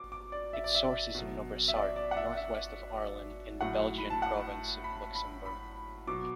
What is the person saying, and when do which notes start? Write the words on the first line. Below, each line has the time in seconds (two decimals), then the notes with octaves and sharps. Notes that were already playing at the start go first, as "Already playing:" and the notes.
Its source is in Nobressart, north-west of Arlon, in the Belgian province Luxembourg.
Already playing: B2 D6
0.12 D6
0.32 D5
0.53 E5
0.64 D5
0.75 E5
1.15 B2 F#3
1.68 E5
1.76 D5
1.96 D5
2.11 F#5
2.17 E5
2.37 E5
3.61 A2 F#3 F#5
3.98 B5
4.10 A5
4.22 F#5
4.84 B5
5.15 B5
5.46 B5
6.07 B2 F#3 D6